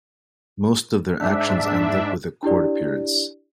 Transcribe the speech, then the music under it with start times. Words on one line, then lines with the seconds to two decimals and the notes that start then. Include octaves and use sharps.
Most of their actions end up with a court appearance.
1.19 G#2 D4 E5
2.43 D4 E4 G4 D5